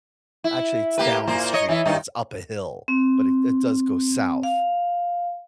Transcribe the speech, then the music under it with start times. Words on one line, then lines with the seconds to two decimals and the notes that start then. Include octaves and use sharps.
actually, it's down the street, but it's up a hill, but it it does go south.
0.44 E4
0.98 A#3 G4 B4
1.27 A#2 A#3 C5
1.53 C#5 D#5
1.69 E3 E4
1.85 G2 D#3 D#4
2.88 C4
4.43 F5